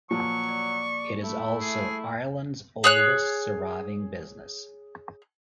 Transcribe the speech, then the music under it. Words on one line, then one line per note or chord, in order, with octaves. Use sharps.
It is also Ireland's oldest surviving business.
A#2 F3 F#3 C#6
D5
A3 E4
G#4
G#4 C#5 F#6